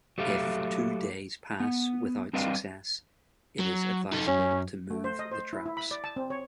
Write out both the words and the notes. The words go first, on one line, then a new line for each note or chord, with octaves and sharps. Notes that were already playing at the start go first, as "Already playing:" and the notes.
If two days pass without success, it is advisable to move the traps.
F#3 A3 G4 A4 E5 F5
B3
G3 C4 D4 B4 D#5 F5
F#3
D#4 A4
F#2 C#4
A3
C5
D#5
C5
E4
E4
B5
D5
A5
C4
C#5